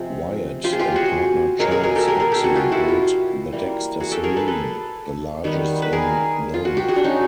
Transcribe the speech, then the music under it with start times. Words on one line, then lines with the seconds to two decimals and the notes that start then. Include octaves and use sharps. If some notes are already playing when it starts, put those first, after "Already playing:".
Wyatt and partner Charles Hoxie built the Dexter Saloon, the largest in Nome.
Already playing: C3 F3 G#3
0.64 F4 G4
0.72 G#4
0.79 F4 G4
0.96 F#4 G#4
1.59 B2 F#3 A#3 G#4 A#4
1.71 G#4 A#4
1.83 G#4 A#4
1.95 G4 A4
2.08 G#4 A#4
2.20 G#4 A#4
2.32 G4 A4
2.44 F#4 G#4
2.55 F4 G4
2.72 E4 F#4
2.88 F4 G4
3.52 E3 G3 A#3
4.00 F#4 G#4
4.12 G4 A4
4.24 G#4 A#4
4.37 A4 B4
4.48 A4 B4
5.44 D#3 G3 B3
5.82 B4
5.93 G#4 A#4
6.54 F4
6.65 F#4
6.77 G4
6.88 F#4 G#4
6.96 D4
7.04 C#4 D#4